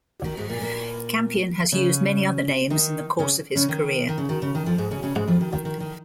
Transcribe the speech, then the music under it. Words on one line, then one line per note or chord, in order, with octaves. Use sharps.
Campion has used many other names in the course of his career.
D#3
G#2 G#3
A#2 A#3
A#2 A#3
C#3 C#4
D#3 D#4
C#3 C#4
C#3 C#4
D#3
D#3
C#3
D#3
C#3
D#3
F2 F3
G#2 G#3
C#3 C#4
C#3 C#4
G#2 G#3
F2 F3
D#3
D#3
D#3
D#3